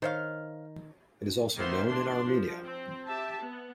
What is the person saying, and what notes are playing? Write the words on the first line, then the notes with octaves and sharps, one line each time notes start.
It is also known in Armenia.
D#3 C5 C#5 F5
D#3 A#3 B3 C5 E5 C6
D4 C6
F3
C4
G4 E5 A5
B3